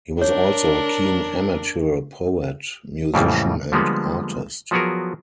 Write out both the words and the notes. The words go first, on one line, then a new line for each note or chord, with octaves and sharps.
He was also a keen amateur poet, musician and artist.
D4 A#4 C#5
F2 A2 C#3 E3 G3 A#3
D3 F3 G3 G#3 A#3 B3
F3 F#3 B3 F#4 G#4 A#4